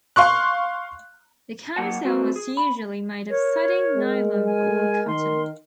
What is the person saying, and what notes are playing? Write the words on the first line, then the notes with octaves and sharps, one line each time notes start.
The camisole is usually made of satin, nylon, or cotton.
F5 C6 C#6 F#6
F#3 A#3 F#5 A5
G#3 C4 E4 F#4 B4 C5
G#4
B5
A#4 C#5
G#3
G#5
D#3 C6